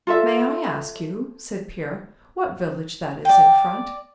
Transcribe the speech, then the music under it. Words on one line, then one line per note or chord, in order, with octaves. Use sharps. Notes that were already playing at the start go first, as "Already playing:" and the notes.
"May I ask you," said Pierre, "what village that is in front?"
F4 A4 E5
D5 G5